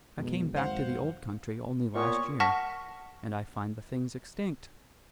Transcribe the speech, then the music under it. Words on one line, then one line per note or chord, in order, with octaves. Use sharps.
I came back to the old country only last year, and I find the thing's extinct.
B1 F2 B2 G#3
G#1 C5 F5 F#5
A#2 B3 C#5 C#6
F#5 A5 C#6 F6 A#6 B6